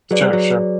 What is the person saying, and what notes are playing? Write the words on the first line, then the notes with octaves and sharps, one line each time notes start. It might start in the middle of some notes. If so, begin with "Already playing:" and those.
Sure, sure.
F#3 G#4 B4 D5
G3
F#3